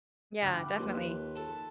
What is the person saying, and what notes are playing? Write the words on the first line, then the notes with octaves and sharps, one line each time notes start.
Yeah, definitely,
D2 G5 B5 D6 F#6
D#2 F3 A#3 B4 C6
A4